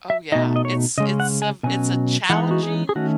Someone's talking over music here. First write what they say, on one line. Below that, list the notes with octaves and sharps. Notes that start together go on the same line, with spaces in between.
Oh yeah. It's it's a v it's a challenging,
E5
B2 A3 D#4 D#5
D#5
C#5
C#3 G#3 C#4 D#5
F#5
G#5
B2 F#3 C#4 G#5
E3 G#3 B3 D#4 F#5
F#4
G#4
G#4
D#3 A3 C#4 F#4